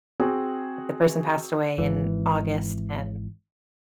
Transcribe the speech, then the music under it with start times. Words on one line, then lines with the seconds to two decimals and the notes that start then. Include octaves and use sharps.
if the person passed away in August and,
0.20 C4 F#4 G#4
1.78 G#1 E3